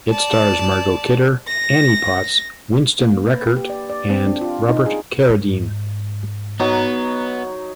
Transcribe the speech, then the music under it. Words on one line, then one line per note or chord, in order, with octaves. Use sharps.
It stars Margot Kidder, Annie Potts, Winston Rekert and Robert Carradine.
D5 A5
A#6
A#3
B4
G4
D5
D5
C4
D4
F4
D#4
G#4
G#2
F#3 B3 D#4